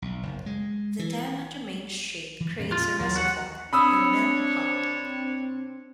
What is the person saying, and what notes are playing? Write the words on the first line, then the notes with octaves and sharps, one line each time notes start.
The dam, under Main Street, creates a reservoir, the Mill Pond.
B1
F#1
G#3
E3
E3
F2 A#2 C#4
F4
D#2 D#3 E3 F#3 F4
F#4 F#5
C4 D4 C#5 B5 D#6 E6